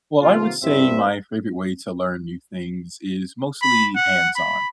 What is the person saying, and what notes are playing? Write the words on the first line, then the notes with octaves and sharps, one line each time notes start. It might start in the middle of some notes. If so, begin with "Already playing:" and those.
Well, I would say my favorite way to learn new things is mostly hands-on.
C3 D#3 A#3 B3 F4
C2 G2 C4 E5
B5
F#5
B5